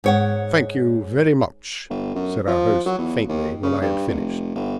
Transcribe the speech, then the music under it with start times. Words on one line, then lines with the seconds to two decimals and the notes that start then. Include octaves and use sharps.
"Thank you very much," said our host faintly when I had finished.
0.04 G#2 C#5 F#5
1.90 G1
2.15 F#2
2.48 F3
2.86 F#3
2.98 E2
3.29 D#2
3.63 C#3
3.81 G2
4.08 F1
4.55 G1